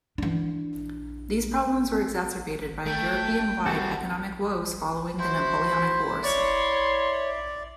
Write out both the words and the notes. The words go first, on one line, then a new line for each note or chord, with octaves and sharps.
These problems were exacerbated by European wide economic woes following the Napoleonic Wars.
E3 D4
A3 G5
G3 C4 E4 F#4 A4
E4 F#4 C5
C#5 D5 C6